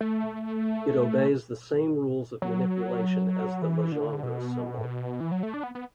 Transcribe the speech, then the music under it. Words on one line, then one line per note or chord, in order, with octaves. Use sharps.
It obeys the same rules of manipulation as the Legendre symbol.
A3
F#3
E3
D3
B2
A2
B2
E3
F#3
A3
D4
B3
B3